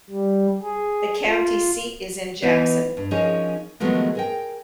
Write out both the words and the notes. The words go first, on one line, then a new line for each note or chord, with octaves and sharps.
The county seat is Jackson.
G3
G#4
F4
E3 B3 D#4
G2
F3 C#4 D#4 G#4 A#4 C#5
D#3 F3 F#3 G#3 A3 B3
G#4 A#4 G5